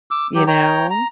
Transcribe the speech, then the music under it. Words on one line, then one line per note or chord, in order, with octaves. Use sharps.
you know,
D6 E6
F#3 G4
C#5 G5 A#5
A#5